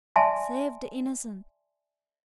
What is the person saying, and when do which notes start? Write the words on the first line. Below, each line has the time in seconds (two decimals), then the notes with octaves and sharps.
Save the innocent!
0.16 D5 E5 G#5 A5 C6